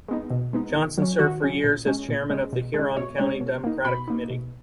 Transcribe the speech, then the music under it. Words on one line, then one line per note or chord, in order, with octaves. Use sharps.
Johnson served for years as chairman of the Huron County Democratic Committee.
G#3 B3 D#4
B2
G#3 B3 D#4
D#3
F#3 C#4
D#3 F#4
F#3 C#4
A#2
G#3 C#4
A#2
G#3 C#4
B2
G#3
C#4
B2 C#5
G#3 C#4 C#5
B2
A#3 D#4
B2 B5
A#3 D#4
B2